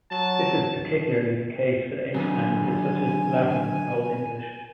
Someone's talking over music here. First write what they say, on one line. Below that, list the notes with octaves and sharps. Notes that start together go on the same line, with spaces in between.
This is particularly the case with ancient languages such as Latin and Old English.
F#3 A5
D3 D#3 F#3 G#5